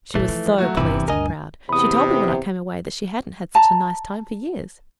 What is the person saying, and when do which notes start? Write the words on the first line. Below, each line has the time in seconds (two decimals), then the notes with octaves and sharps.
She was so pleased and proud; she told me when I came away that she hadn't had such a nice time for years.
0.15 A#2 D#3 E3 A3
0.28 F3
0.58 F#3 A3 F#4
0.77 D1 G1 E2 C3 E3 E4
1.08 D2 G2 A#4 D#5 G#5
1.69 E2 C3 B5 D#6
3.55 A5 A#5